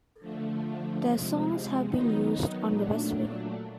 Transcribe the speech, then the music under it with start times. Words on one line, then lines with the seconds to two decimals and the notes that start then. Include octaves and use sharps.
Their songs have been used on "The West Wing".
0.20 D3 F3 A3
1.03 C3 F3 G#3
1.86 D#3 F#3 B3 D#4
2.69 A#2 F#3 A3 D4